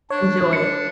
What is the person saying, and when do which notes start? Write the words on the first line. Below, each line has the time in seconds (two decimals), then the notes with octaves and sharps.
Enjoy it.
0.10 D4 C#5
0.53 C#7